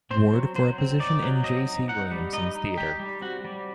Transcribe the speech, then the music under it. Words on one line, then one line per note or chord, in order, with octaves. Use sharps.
Ward for a position in J. C. Williamson's theatre.
C4 C5
F#3
F#3 C5
C4
D#4 D5
F#3
C4 D#5
D#4
D#4 F#5
G3
D#4 D#5
D#4
G3 G4
G3
C4 F#4
G3